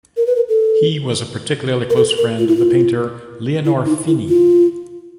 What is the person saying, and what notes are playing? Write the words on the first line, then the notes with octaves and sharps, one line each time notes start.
He was a particularly close friend of the painter Leonor Fini.
A#4
B4
A#4
A4
A#4
A4
A#4
F4
E4
F4
E4
D#4
E4
F4